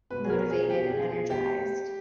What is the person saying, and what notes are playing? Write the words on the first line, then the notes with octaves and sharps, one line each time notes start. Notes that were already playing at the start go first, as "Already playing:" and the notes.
motivated and energized.
B2 B4
G#4
B2 A#4
B2 G#4
B2 G4
B2 G#4
B2 G#4
B2 G4